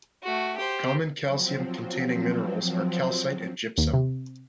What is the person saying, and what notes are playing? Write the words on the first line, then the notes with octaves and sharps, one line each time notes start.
Common calcium-containing minerals are calcite and gypsum.
A3 F#4
G4 C5
F3 F#3 C4
D#2
C3